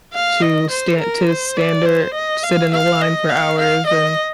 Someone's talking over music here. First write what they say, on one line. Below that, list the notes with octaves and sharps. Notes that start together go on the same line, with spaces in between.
to stan to stand or sit in a line for hours and
F5
D#5
C5
A#4
C5
D5
C5
D#5
F5
F5
D#5
F5
F5
D#5